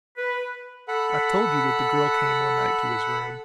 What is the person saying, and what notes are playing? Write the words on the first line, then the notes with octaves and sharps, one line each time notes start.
I have told you that the girl came one night to his room.
B4
A4 F#5 B5